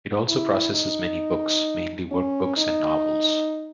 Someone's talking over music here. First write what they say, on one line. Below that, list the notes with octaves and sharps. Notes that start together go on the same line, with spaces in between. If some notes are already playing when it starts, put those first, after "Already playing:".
It also processes many books, mainly work books and novels.
E4
D#4
C#4
D#4